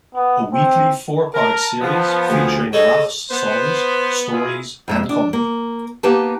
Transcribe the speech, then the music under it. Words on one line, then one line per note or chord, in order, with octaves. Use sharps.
A weekly four-part series featuring Lach's songs, stories and comedy.
B3
C4
A#4 A5
F3 B3
D2 G#4
G#4 A4 C#5 D#5
B3 C5
E4 F4 G#4
F2 G#3 E5
D4
A#3
A#3 B3 D#4 G4 B4 A5